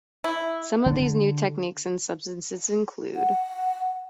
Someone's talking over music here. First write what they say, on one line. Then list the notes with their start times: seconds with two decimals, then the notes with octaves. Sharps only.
Some of these new techniques and substances include.
0.24 E4
0.86 D3
3.16 F#5